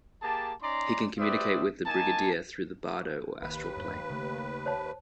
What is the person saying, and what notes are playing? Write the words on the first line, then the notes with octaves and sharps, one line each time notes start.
He can communicate with the Brigadier through the "bardo" or astral plane.
A#3 G4 G#4 A5
C#4 D#4 D5 A#5 C6
G4 B4 C5 D5 E5 D#6
A#3 D#4 G#5 A5
A#1 D#2 D#3 B4
E2 G2
C#3 A3
C5 C#5 A5